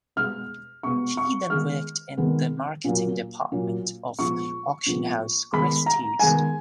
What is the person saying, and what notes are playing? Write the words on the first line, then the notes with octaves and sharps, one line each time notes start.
She then worked in the marketing department of auction house Christie's.
B2 G#3 B3 F6
B2 G#3 B3 C#6
C#6
D#3 G#3 B3 F6
D#3 G#3 B3
A#2 F#3 A#3
A#2 F#3 A#3
A#2 F3 G#3 B3 C#6
A#2 F3 G#3 B3
D#3 G#3 B3 B5
A#5
D#3 G#3 B3 G#5